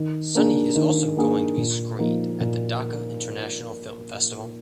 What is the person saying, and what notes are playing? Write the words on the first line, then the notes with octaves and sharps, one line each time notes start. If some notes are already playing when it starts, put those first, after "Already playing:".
Sunny is also going to be screened at the Dhaka International Film Festival.
Already playing: D#3
A#3 D4 G#4
D#3
A#3 D4 G#4
A#2
F3 A#3 D#4 A#4
A#2